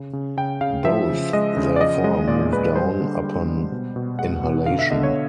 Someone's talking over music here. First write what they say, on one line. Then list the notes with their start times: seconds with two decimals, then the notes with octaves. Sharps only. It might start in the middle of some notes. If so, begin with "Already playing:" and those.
Both, therefore, move down upon inhalation.
Already playing: C#3
0.13 C#3
0.37 C#3 G5
0.61 C#3 F5
0.85 F3 E5
1.09 C#3
1.33 G#3 D#5
1.57 C#3
1.76 D5
1.80 F3 D#5
2.04 G#3 D#5
2.28 A#2 D5
2.52 G#3 B4
2.76 G3 C5
3.00 D3
3.23 G3
3.48 G3
3.72 B2
3.96 B2
4.19 G#3 F#5
4.43 B2
4.66 D3 F5
4.79 E5
4.91 D3 D#5
5.03 C#5